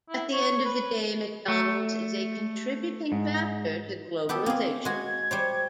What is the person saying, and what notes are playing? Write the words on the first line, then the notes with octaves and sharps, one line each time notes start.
At the end of the day, McDonald's is a contributing factor to globalization.
E4
C#5
B4
A3
G#2
B3 G4 A4
A#3 C4 G#4
G#3 F#4 G#6
G3 C5 C#5